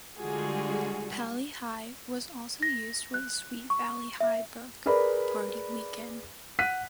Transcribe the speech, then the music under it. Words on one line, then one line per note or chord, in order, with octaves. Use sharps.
Pali High was also used for the Sweet Valley High book, "Party Weekend".
D3 G3 G#3 F4 F#4 G#4
A#6
F#6
C#6
E5
G#4 A#4 B4 D5 B5
F#5 F#6 B6 D#7